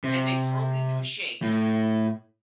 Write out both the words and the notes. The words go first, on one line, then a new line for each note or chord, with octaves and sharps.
and they throw it into a shake.
C3
A2